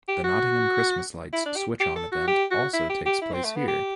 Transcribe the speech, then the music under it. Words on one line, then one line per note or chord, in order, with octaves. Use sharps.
The Nottingham Christmas Lights switch-on event also takes place here.
G4
F#4
E4
D4
G4
G4
A4
F#4
G4
F#4
E4
G4
G4
E4
C4
A3
B3
G4